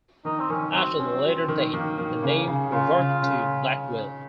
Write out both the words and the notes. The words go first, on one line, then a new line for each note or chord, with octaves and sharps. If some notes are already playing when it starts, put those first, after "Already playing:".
After the latter date, the name reverted to Blackwell.
D#3 D#4
C4
D#3 C#4
F#3 C4
C#4
F#3
D#3
D#3 A#3
D#3
C#3
C#3
C#3 F4
C#3
C#3